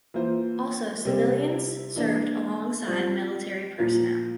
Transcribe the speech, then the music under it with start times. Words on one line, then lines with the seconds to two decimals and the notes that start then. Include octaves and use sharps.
Also, civilians served alongside military personnel.
0.14 E3 A#3 F4 C5
1.05 C3 G3 C4 G4
1.96 E3 A#3 D4
2.87 G3 C4 F4
3.79 A#2 F3 A#3 F4